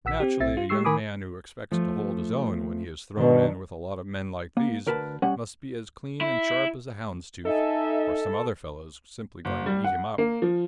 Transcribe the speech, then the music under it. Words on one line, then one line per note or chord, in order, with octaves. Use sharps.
Naturally, a young man who expects to hold his own when he is thrown in with a lot of men like these must be as clean and sharp as a hound's tooth, or some other fellow's simply going to eat him up.
A#1 F#5 E6 B6
C4 G4
B1 C4 E5 A6
F4
G#3 G4 C#6 E6 C7
D#3 A#4 G#5 B5 D6 D#6
F3 A3
B2 D#3 D4
A#3
D2 A#4 B4 A5
G3 C#4 F#5
E4
D#4 A4 D#5 E5 G#5
F#1
G3
F#5
A#3
F3